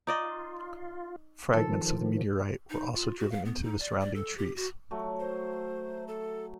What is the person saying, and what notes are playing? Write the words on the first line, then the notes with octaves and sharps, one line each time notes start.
Fragments of the meteorite were also driven into the surrounding trees.
D#4 F4 D5 D#5
D#3 F3 A4
D#4
F4
F#4
F5
B3
D#4
D5
D5
A4
G4
F#4
F#3 A3
C5
A4